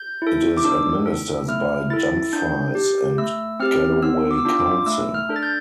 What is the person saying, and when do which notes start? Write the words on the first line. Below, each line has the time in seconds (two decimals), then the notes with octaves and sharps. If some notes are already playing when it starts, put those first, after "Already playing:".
It is administered by Dumfries and Galloway Council.
Already playing: G6
0.22 E4 A4
0.57 D6
0.64 D4 E6
1.06 A4
1.48 A3 F6
1.90 E4 A4 A6
2.33 D4 G6
2.75 G4
3.18 A3 E6
3.60 C4 G4 F6
4.02 B3 E6
4.31 D6
4.38 E6
4.45 D4 F4 D6
4.59 D6
4.86 A3 E6
5.14 F6
5.29 D4 A4
5.36 A6
5.43 G6